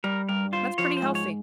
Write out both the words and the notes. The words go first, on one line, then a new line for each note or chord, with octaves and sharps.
that's pretty healthy.
G3 A#4
G2 A#4
F4 C5
F3 C#5
C5
G#2
C#5